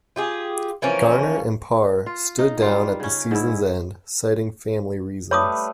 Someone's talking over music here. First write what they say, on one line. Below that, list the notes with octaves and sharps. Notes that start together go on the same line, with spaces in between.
Garner and Parr stood down at the season's end, citing family reasons.
F4 G4 G#4
E3 F3 A#3 C#4
F4
D#4
G3 F4
C#3 C#4
G#2 E4
G3 A3 B4 C#5 D6 D#6